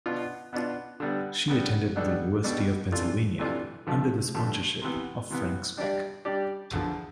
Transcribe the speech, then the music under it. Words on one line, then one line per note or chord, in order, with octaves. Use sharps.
She attended the University of Pennsylvania under the sponsorship of Frank Speck.
B2 B3 D4 F4
B2 B3 D4 F4
D3 G3 B3
D3 G3 B3
B2 G3 B3 D4 A4
B2 G3 B3 D4 A4
C3 E3 A3 D4 F4
C3 E3 A3 D4 F4
G2 D3 F3 A3
G2 D3 F3 A3
C3 E3 B3
C3 E3 B3
G3 D4 G4 D5
G3 D4 G4 D5
E2 D3 F3